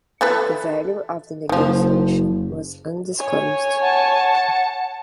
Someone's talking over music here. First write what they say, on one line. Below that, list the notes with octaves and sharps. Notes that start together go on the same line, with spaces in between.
The value of the negotiation was undisclosed.
E3 A4 B4
F#1 D#3 F3
C#5 G#5
F#5 A5